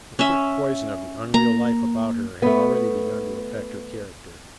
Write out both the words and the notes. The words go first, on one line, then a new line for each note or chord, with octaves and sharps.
The quick poison of the unreal life about her had already begun to affect her character.
C#4 E5
A#3 A#5
A3 B3